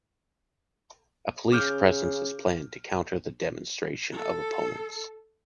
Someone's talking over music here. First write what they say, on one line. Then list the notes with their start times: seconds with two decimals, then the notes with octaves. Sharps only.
A police presence is planned to counter the demonstration of opponents.
1.52 C#3 D6 F6 G6
4.12 A4